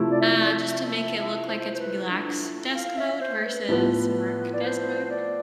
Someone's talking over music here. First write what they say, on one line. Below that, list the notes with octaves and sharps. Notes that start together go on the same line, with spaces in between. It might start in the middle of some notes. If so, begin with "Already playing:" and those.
uh, just to make it look like it's relax desk mode versus work desk mode.
Already playing: C3 F3 A3 E4
D5
E5
D5
E5
E5
E5
C5
C5
B4
D4
F5
E5
C5
B4
A2 F3 B3
D5
C5
C5
D5